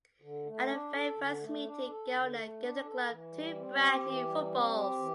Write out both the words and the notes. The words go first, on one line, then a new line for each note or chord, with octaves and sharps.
At the very first meeting Geldner gave the club two brand new footballs.
D3
A3
D4
A4
D3
A3
D4
A4
D3
A3
D4
A4
E3
G3
C4
G4
E3
G3
C4
G4
E3